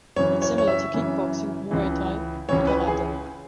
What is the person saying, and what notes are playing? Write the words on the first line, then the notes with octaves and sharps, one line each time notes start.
It is similar to kickboxing, Muay Thai, and karate.
F#2 C#3 E3 C#5
C#5
C#5
E5
F#2 C#3 E3
C#2 C#3 E3
C#2 C#3 E3 C#5
B4
G#4